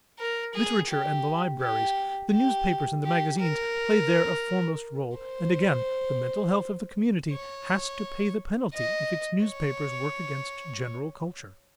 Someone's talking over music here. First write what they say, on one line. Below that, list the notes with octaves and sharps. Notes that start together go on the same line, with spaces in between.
Literature and the libraries, the newspapers and the magazines play there a foremost role, and again the mental health of the community has to pay the penalty if its newspapers work against general culture.
A#4
G#4
G4
G4
G4
G4
A#4
C5
C#5
D#5
C#5